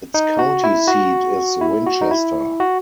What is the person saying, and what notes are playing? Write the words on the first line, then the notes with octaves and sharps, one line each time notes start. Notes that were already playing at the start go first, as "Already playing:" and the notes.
Its county seat is Winchester.
D#4
F#4
E4
F#4
E4
F#4
D#4
E4
F#4